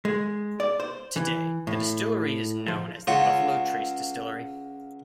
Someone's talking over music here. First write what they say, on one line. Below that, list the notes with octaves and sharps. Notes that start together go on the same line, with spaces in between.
Today the distillery is known as the Buffalo Trace Distillery.
G#3
D5
C5
E3
A2
F3
C#2 F4 F#4 C#5